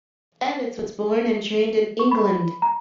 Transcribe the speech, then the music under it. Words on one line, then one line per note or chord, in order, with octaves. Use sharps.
Evetts was born and trained in England.
C#6
B5
A#5